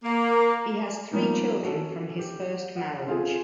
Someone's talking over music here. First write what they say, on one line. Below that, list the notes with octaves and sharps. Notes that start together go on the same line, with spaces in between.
He has three children from his first marriage.
A#3
F3 G3 A#3 B3 D#4
C#4 F#4 A4
G4
F#5
C4 F4 G#4